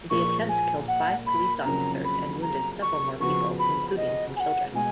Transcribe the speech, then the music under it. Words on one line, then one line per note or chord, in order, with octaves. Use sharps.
The attempt killed five police officers and wounded several more people, including some children.
A#2 F3 A#3 F4 G#4 C#6
G#5
F#5
B5
F2 C#3 F#3 A#3 C#4 A#5
B5
A#5
C#6
C#3 F3 B3 F#4 C#6
B5
D#5
G#5
F#5
B2 G#3 G#5